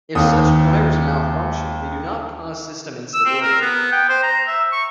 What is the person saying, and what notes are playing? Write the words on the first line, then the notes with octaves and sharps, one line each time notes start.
If such drivers malfunction, they do not cause system instability.
D#2 D#6
E6
C4
A#4
B3
G5
C5
A#5
E5
C#6